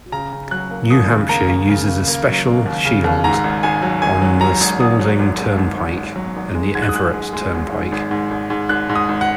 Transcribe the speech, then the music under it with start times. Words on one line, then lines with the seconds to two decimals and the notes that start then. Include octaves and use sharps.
New Hampshire uses a special shield on the Spaulding Turnpike and the Everett Turnpike.
0.12 C#3 A#5
0.32 C#3
0.51 F#3 F#6
0.71 A#3
0.90 D#2 D#6
1.10 C#3
1.29 A#3 A#5
1.49 C#3
1.69 C#3
1.88 C#3
2.08 A#3
2.27 F#3
2.47 A#3
2.66 D#2
2.85 C#3
3.04 D#2
3.24 G#2 A#5
3.44 G#1
3.63 G#1 G#5
3.82 F#3
4.02 G#1 G#5
4.22 F#3
4.41 F#3 A#5
4.60 G#1
4.80 G#1 D#6
4.99 F#3
5.19 G#1
5.38 G#2
5.58 G#1
5.78 G#1
5.96 G#1
6.16 F#3
6.36 G#1
6.55 G#3
6.75 G#2 G#6
6.82 F#6
6.89 D#6
6.94 G#3 F#6
7.14 G#3
7.33 G#3
7.53 G#1
7.72 G#2
7.92 G#1
8.11 G#2
8.31 G#1
8.50 G#2
8.69 G#1 F#6
8.89 G#2
8.95 D#6
9.09 G#1
9.21 F#5